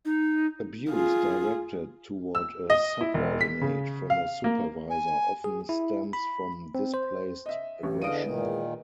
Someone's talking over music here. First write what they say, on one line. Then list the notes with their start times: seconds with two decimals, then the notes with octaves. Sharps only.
Abuse directed toward a subordinate from a supervisor often stems from displaced aggression.
0.05 D#4
0.90 F4 G#4
2.35 E6
2.70 D#5
3.01 E4
3.14 E1
3.41 B6
3.61 C#3
4.10 F5
4.44 A#3
4.90 G#5
5.44 G#4
5.69 E4
6.13 B5
6.75 C4
6.94 C5
7.46 D#5 E5
7.83 A1 G4
8.01 E2 D3 D#5 F5 D7 D#7
8.23 A#2 D#3 G#3